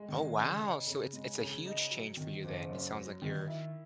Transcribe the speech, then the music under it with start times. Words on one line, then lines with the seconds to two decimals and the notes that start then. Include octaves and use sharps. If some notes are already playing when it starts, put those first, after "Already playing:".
Oh, wow. So it's it's a huge change for you then. It sounds like you're
Already playing: G#3
0.09 D#3
0.35 C#3
0.60 D#4
0.87 C#3
1.13 G#3
1.39 C#3
1.65 D#4
1.91 F#3
2.17 D#3
2.44 F#1
2.70 F#2
2.95 F#3
3.22 D#3
3.48 E4